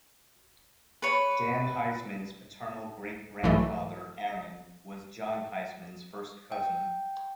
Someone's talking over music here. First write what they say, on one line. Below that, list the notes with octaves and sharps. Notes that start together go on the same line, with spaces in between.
Dan Heisman's paternal great-grandfather, Aaron, was John Heisman's first cousin.
B4 C#5
B1 G#2 E3 F#3 A3
G5